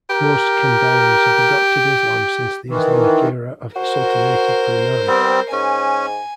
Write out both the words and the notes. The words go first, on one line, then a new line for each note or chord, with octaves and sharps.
Most Kedayans have adopted Islam since the Islamic era of the Sultanate of Brunei.
G4 A#4
D#3 E3
F#4 A#4 C5
G3 B3 C4
G#2 C#4 G#5